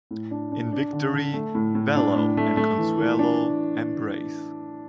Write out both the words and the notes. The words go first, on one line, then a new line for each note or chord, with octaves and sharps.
In victory Vallo and Consuelo embrace.
A2
D4
D4
D4
D3
D3
A3
A2
A2
D4
A2
A3
A3
E3
E3
D4